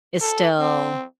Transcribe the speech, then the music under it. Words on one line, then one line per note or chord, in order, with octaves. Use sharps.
is still
A4
C4